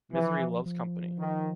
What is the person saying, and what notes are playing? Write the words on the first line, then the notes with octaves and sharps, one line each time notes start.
Misery loves company.
E3 F3
F3
D#3